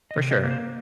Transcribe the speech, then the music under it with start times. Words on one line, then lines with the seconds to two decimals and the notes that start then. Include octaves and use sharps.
For sure.
0.11 D#5
0.17 C3
0.31 D#5
0.44 A#3
0.51 C5